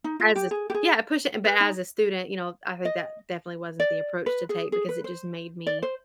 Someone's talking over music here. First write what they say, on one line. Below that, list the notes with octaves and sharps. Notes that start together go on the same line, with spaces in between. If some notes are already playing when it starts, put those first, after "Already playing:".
as Yeah, pushi but as a student, you know, I think that definitely wasn't the approach to take because it just made me
D#4
F4
G4
G#4
G4
G#4
B4
D#4
D#5
D5
B4
G#4
G#4
B4
C5
D5
C5